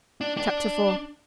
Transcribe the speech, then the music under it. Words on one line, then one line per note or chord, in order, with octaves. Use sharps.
Chapter IV.
D4
D4